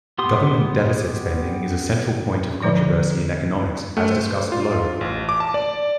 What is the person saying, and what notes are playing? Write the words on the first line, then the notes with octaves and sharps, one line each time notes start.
Government deficit spending is a central point of controversy in economics, as discussed below.
B3 G4 C6 D#6
D3 F3 D5
A3
C5
F4
A1
D6
A5
D5